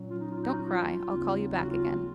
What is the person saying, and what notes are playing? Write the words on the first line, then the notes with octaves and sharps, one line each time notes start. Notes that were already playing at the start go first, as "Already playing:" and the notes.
"Don't cry, I'll call you back again."
Already playing: A#2 F#3 C#4
F4
D#4
F4
D#4
F#4
F4
F4
D#2 C#3 F#3 C4 D#4
F4
F#4
F4